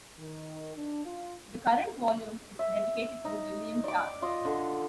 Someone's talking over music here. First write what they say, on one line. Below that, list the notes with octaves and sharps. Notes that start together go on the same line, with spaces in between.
The current volume is dedicated to William Targ.
D#3
D4
F4
E5
D#4
D5 D6
F4 D#5
D3